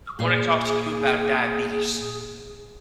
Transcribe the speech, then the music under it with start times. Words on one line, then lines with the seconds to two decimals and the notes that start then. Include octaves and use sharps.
"I wanna talk to you about diabetes."
0.19 A#2 G#4 F5